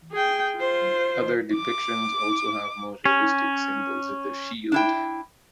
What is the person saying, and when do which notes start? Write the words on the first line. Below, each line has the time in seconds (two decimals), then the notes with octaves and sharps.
Other depictions also have more realistic symbols in the shield.
0.12 G#4 G5
0.56 F4 C5
1.55 D6
3.05 C#4
4.72 D4 E4 G5